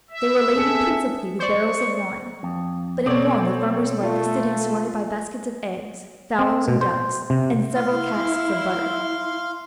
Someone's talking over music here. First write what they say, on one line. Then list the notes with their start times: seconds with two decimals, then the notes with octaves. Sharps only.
They were laden principally with barrels of wine; but in one the farmer's wife was sitting, surrounded by baskets of eggs, fowls, and ducks, and several casks of butter.
0.11 E5
0.55 C4 G#4 A4 C#7
1.40 C5 D5 C#6
2.43 F2
3.06 B2 C4 A4 C#5 D5
4.03 A3 F4
6.39 C4
6.68 B2
6.81 C5
7.30 C3
7.75 E4 F5 C6